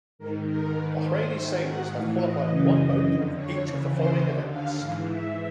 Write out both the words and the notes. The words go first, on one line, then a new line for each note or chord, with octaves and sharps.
Bahraini sailors have qualified one boat for each of the following events.
G#2 D#3 A#4
A#4
G#2 D#3 B4
C5
G#2 E5
D#3
F#5
A2 E3 F5
D#5
F#2 C#3 E3 D#5
F2 D3 D#5
C#5
D#2 C#3 E3
C5
D#2 D3 E5
F5
G#2 E3 F5
E5